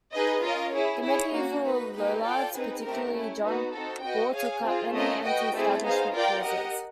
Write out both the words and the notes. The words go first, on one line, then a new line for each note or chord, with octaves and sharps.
The medieval Lollards, particularly John Ball, took up many anti-establishment causes.
D#4 G#4 B4 D#5
C#4 F4 A#4 D#5
E4 G#4 C#5
E4 G#4 C#5
A#3 C#4 F#4
D#4 F#4 B4
A#3 D#4 G4 B4
F4 A4 D5 G5
C4 D#4 G#4 B4
A3 C4 D#4 G4 A#4
A3 C#4 E4
B3 D#4 F#4 B4
C4 D#4 F#4 A4
F#4 B4 D#5 G5
G#4 C#5 F5 G#5
C4 F4 G#4
A3 C#4 F4 A#4 D#5
F#4 B4 D#5 G5
A3 C4 E4 G#4
B3 D#4 G#4 C5 F5
F4 A#4 D5 G5
G4 A#4 D#5 F#5